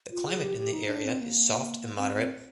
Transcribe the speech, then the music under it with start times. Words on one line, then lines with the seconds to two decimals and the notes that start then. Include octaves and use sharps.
The climate in the area is soft and moderate.
0.11 F4
0.27 G#4
0.43 G4
0.58 G4
0.73 D#4
0.88 D4
1.05 C4
1.21 A#3
1.97 C4
2.14 C4